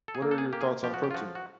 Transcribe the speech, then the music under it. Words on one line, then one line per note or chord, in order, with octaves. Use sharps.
What are your thoughts on protein?
A4
G#4
A#3
A4
G#4
A#3 G4
G#4
F3 G4
F#4
G4
F4
F3 F#4
F#4